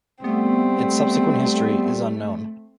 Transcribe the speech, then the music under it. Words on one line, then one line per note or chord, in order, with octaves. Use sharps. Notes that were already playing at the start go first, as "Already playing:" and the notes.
Its subsequent history is unknown.
G3 A3 B3 C4